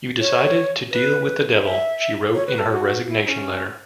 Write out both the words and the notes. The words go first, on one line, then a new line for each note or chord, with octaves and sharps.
"You decided to deal with the devil", she wrote in her resignation letter.
C#5
B4
E5
C#5
B4
A4
F#4
E4
E4
C#4